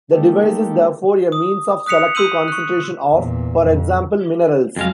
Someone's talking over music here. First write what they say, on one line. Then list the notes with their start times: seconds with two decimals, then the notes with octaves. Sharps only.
The device is therefore a means of selective concentration of, for example, minerals.
0.12 G#3 A#3 D#4 G4 A4
1.32 D#6
1.86 D#6 F#6 B6 C#7 F7
2.15 C6 E6 G6 D#7 F#7
2.48 C#6 F#6
3.12 E2 A#2
3.62 F2
4.76 F2 F3 F#3 G#3 F5